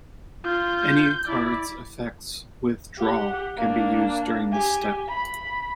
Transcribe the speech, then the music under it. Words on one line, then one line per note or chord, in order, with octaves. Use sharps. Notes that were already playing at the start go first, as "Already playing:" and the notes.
Any cards' effects with "Draw:" can be used during this step.
F4 G6
E4 D5
G4 F#5
A#3 D4
G4 G#5
B5